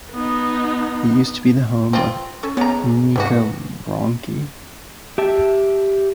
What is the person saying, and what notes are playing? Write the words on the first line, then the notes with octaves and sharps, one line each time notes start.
It used to be the home of Amica Wronki.
B3 D#4
C4 F4
C#4 A4 C#6
G#3 B3 C#5 A#5 A6
G#2 C3 B3 E4 F#4
G4 E5 A5